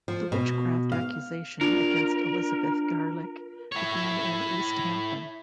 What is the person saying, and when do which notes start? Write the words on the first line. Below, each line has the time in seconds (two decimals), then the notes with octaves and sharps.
The witchcraft accusation against Elizabeth Garlick began in East Hampton.
0.08 F3
0.32 B2
0.92 F5
1.61 D4 F4 A#4
3.72 E4 C#5